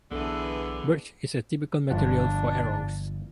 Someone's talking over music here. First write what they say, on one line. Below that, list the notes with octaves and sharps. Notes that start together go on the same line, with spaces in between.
Birch is a typical material for arrows.
B1 D3 E3 B3 D4 G#4 A4 B4
G1 F3 D4 F#5